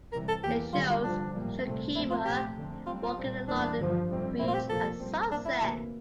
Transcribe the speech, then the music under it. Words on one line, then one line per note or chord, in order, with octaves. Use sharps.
It shows Shakira walking along a beach at sunset.
C2 C3 E3 G3 A#4
A4
E2 E3 A#3 G4
E2 D3 G3 F4
F4
G2 D3 F3 D4
A2 G3 A#3
C2 A#2 A3 C4
G2 F3 A3 C4 E4
F4
A#2 F3 A3 C4 G4
F2 D3 A3 C4
A2 G3 C4 F4
F4
A#2 G3 C4
E2 E3 A#3 D4
G2 D3 F3
F2 C3 G3 C4
A#2 A3 C4 E4
F4
G4
F2 C3 F3 A#3 A4
A#2 G3 C4
G2 E3 A#3 D4
E4
D2 C3 E3 A#3